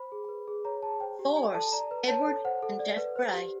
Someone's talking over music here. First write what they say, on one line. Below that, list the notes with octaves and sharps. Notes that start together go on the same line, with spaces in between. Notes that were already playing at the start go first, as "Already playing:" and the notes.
Force, Edward and Jeff Bray.
Already playing: C5 B5
G#4
B4
G#4
C#5 A#5
G#4 A5
C5 G5
G4
D5 G#5
A4 A5
D5 A#5
B4
C#5 A5
A4
C5 F#5
A4
D5
B4
C5
G4